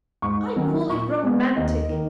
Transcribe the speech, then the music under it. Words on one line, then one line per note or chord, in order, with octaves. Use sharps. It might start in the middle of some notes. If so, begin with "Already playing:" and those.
I call it romantic.
G#2 C#6
D#3 F#3 A#3 C#4
A#2 C#6
G#3 B3
D#2 D#5
D#3 A#3